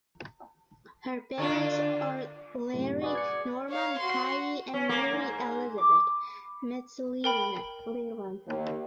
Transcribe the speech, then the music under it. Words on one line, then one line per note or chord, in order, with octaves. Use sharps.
Her parents are Larry Norman Kaye and Mary Elizabeth McLellan.
D3 D4 F4
F#2 A2 C3
F#4 G#4 B4 D5
G#6 C#7
C#5 F5
F#4 C6
C#4
A#3
G#2
D6
A#4 G5 B5
D#2